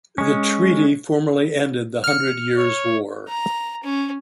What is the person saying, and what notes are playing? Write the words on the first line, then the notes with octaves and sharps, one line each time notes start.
The treaty formally ended the Hundred Years' War.
G#3 C#4
F6 C#7
C#5
A#5
C#4